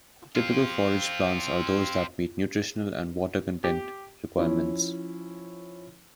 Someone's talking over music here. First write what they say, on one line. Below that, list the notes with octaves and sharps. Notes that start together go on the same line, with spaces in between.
Typical forage plants are those that meet nutritional and water content requirements.
C4 F4
G4
F3 C#4 E4